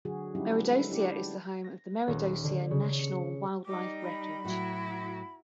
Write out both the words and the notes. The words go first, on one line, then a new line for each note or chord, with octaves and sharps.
Meredosia is the home of the Meredosia National Wildlife Refuge.
D3 F#3 F#4 G#4
F#3 G3 C#4 D#4 E4 G4
G#3 A4 B4
D4 E4 G4 D5
A#6
D#1
D3
C#3
C#7
G3 D#4 D6
B5
A2 F#3 E4 F#4